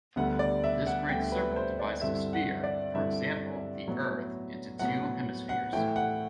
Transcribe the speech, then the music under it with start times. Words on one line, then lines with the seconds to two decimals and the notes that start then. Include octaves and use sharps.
This great circle divides the sphere, e.g., the Earth, into two hemispheres.
0.16 D2 D3 G3 B3 F#5
0.39 D5
0.64 E5
0.87 F#5
1.09 D2 D3 G3 B3 G5
1.32 B4
1.56 C5
1.79 D5
2.01 G2 D3 G3 C4 E4 E5
2.33 F#5
2.64 D5
2.94 G2 D3 G3 C4 E4 E5
3.87 A2 F#3 B3
4.79 A2 F#3 B3 F#5
5.49 F#5
5.73 A2 E3 A3 E4 G5
5.96 F#5